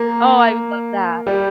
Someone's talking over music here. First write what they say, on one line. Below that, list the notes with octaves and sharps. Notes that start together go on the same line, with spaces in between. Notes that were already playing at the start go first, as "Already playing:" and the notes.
Oh, I would love that.
Already playing: A#3
G3